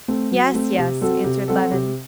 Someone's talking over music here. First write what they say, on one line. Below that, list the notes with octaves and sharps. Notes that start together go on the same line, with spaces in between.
"Yes, yes!" answered Levin.
A3 C4
F#3
A3 C4
C3
F#3 C4 F#4 A4
C3
F#3 C4 F#4 A4
C3